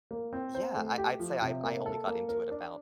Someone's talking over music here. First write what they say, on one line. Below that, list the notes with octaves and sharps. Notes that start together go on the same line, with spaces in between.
yeah, I I'd say I I only got into it about,
A#3
C4
C5
A3
G4
F3
C3
A#3
A4
A#3
A#4
D4